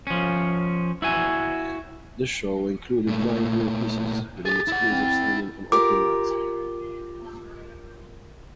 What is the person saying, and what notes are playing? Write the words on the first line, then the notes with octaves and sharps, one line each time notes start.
The show included nine new pieces, with an exclusive signing on opening night.
F3 C#4
E4 F#4 G#5
A#2 A3
G4 G#4 A6
E4 F#5
C4
F4 G4 A#4 D6